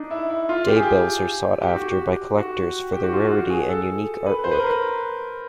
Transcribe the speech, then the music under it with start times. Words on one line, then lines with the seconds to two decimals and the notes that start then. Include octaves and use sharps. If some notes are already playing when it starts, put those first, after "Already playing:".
Daybills are sought-after by collectors for their rarity and unique artwork.
Already playing: D4 D#4
0.11 E4
0.30 E4
0.49 F4
0.67 G4
0.76 G#4
0.83 G4
1.62 G4
1.75 F#4
1.90 G4
2.38 F#4
2.93 G4
3.03 F#4
3.13 F4
3.31 F#4
3.50 G#4
3.69 A4
4.26 B4
4.44 C5
4.51 B4
4.60 A#4
4.66 B4